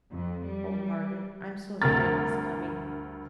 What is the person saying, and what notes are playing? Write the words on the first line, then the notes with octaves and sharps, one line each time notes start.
'Oh, Margaret, I'm so afraid of his coming!
F2
G3
D2 G2 A#4 F6 A6